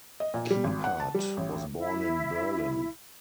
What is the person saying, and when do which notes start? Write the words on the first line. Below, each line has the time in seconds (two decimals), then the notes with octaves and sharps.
Kiepert was born in Berlin.
0.20 D#5
0.34 A#2
0.51 G3
0.64 G#1
0.84 F#5
1.00 A5
1.15 G3
1.37 A1
1.77 E4